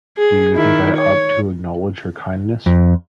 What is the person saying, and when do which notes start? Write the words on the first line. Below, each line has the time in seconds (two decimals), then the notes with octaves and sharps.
Do you think I ought to acknowledge her kindness?
0.17 G#4
0.55 D#3 E4
0.97 C#5
2.66 F2